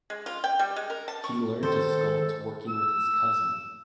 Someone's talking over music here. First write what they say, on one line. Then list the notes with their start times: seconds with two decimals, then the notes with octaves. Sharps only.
He learned to sculpt working with his cousin.
0.10 G#3
0.26 F4
0.44 G5
0.59 G3
0.76 G#3
0.90 A#4
1.08 A5
1.24 C#6
1.63 D#3 A4 C5
2.69 E6